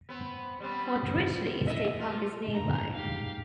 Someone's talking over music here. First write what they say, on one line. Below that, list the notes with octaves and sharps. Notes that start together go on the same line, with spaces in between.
Fort Ridgely State Park is nearby.
B3 C4
G3 B3 C4
D#5 E5
A#2 F4
F2 D3 A#3 A#5
D#3 G#3 G4 F5